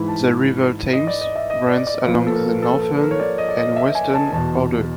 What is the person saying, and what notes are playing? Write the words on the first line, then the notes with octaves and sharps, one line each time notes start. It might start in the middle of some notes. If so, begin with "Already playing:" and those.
The River Thames runs along the northern and western border.
Already playing: G#2 E3 B5
A5
D#5
D5
D#5
E5
D#5
D5
D5
A#2 F3 B4
A4
A#4
A4
A4
A#4
C#5
D5
D#5
D5
D#5
E5
G#5
A5
E2 B2 A5